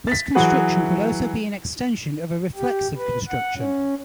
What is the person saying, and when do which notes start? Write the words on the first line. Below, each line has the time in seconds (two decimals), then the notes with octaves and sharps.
This construction could also be an extension of a reflexive construction.
0.07 A6 B6
0.35 E3 F#3 F#4 G#4 B4
2.56 G4
2.97 B4
3.28 F#5
3.57 C#4